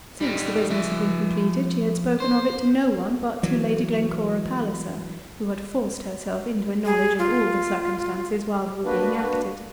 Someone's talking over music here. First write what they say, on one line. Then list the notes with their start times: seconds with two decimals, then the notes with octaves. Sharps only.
Since the business had been completed she had spoken of it to no one but to Lady Glencora Palliser, who had forced herself into a knowledge of all the circumstances while they were being acted.
0.20 G3 D#4
0.70 F3 E5
2.20 C5
3.43 E3 F#3
6.85 G#4
7.19 F4
8.85 A#3 D4 F#4 B4